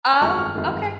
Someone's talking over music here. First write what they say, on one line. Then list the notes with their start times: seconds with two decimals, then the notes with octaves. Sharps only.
Oh, okay.
0.21 G1 F2 D#3 G#3 C#6
0.38 F6
0.55 G1 F2 D#3 G#3